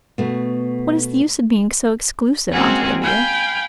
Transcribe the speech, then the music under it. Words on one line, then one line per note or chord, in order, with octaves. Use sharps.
What is the use of being so exclusive, Aunt Olivia?
B2 A3
G#3 A#3 C4 C#4 F#4 G#4
F5 G5 G#5 B5